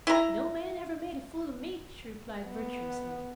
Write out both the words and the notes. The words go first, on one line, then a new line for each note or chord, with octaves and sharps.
"No man ever made a fool of me," she replied virtuously.
E4 A#5
B3